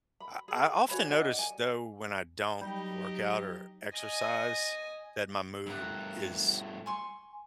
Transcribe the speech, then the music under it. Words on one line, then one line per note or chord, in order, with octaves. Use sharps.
I I often notice, though, when I don't work out, or exercise, that my mood is
B5
G#4
F#4 C#5 G#5 B5
D4 D#5 F#5
G#5
F#3 G3 D#4 G4
D#5 G#5
G2 A3 A#4 F#5
G#5 C6 C#6